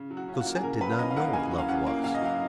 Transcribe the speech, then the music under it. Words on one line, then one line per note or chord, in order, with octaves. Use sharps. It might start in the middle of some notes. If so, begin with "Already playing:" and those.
Cosette did not know what love was.
Already playing: C#3
F#3
F#4
C#4
F4
F#4
A#3
G#4
C#3 A#4
F#3 B4
F5
C#4 D#5
F5
A#3 F#5
C#3 G#5
F#3
F5
C#4 F#5
A#3
C#3 F5
D#5
F#3 F5